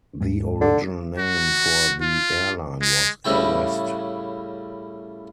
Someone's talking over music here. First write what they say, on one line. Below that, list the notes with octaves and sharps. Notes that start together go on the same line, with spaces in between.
The original name for the airline was Air West.
D#2 G#2 G#3
D3
F#4
F4
G#3
A2 C#3 G3 E4 G5